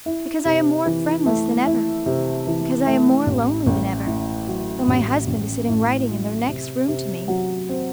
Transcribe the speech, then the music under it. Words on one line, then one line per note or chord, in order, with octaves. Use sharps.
Because I am more friendless than ever; because I am more lonely than ever, though my husband is sitting writing in the next room to me.
E4
C3
E3
A3
E4
C3
E3
A3
A1
A1
A2
F#3
A1
A1
A2
F#3
C3
C3
F#3
C4